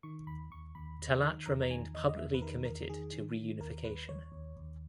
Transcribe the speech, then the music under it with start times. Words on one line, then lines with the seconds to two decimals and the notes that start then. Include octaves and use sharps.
Talat remained publicly committed to reunification.
0.03 D#3 C#6
0.27 D#2 B5
0.51 D#2 C#6
0.75 D#2 B5
0.99 D#2
1.23 D#3
1.46 E2 A#5
1.62 A#5
1.70 D#3 G#5
1.94 E2 D#5
2.09 D#5
2.18 E2 E5
2.34 B4
2.41 D#3 A#4
2.65 E2 A#4
2.89 D#3 G#4
3.13 D#3
3.37 D#3
3.60 D#2 A#4
3.85 D#2 B4
4.08 D#2 C#5
4.32 D#2
4.56 D#2